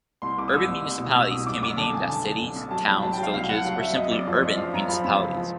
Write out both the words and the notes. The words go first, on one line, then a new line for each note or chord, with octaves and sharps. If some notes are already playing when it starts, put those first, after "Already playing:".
Urban municipalities can be named as cities, towns, villages or simply urban municipalities.
C2 C6
C2 D6
D#6
C2 E6
C2
C2
B2
B2 E6
C2 D#6
F#2 D6
F#2 D6
D3 A5
F#2 G#5
D3 A5
D3
F#2
F#2
F#3 A5
C2 B5
F#3 A5
G5
F#3
F5
C2 F5
C2 F#5
F#3 F5
F#3 E5
F#2 D#5
F#2 D5
F3 D5
F#2 D#5
F3 F5
F#2 A#5
F3 B5
F#2 B5
C#2
F3